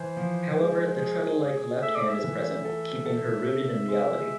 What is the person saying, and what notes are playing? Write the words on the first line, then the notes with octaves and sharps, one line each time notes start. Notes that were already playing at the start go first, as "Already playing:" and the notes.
However, the treadle-like left hand is present, keeping her rooted in reality.
Already playing: E3 C5
F3
G#3
G#4
G#4
A3 E5
D5
E5
E3
A4
A4
C3
G#3